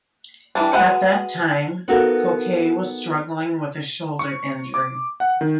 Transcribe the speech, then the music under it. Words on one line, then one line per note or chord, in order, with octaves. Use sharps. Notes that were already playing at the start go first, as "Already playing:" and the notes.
At that time Cochet was struggling with a shoulder injury.
E3 G3 D4
G#3 F#4 B4 D#5 F#5
B3 D#4 F4 F#4 A4 A#4
C#6
D6
F#5
D#3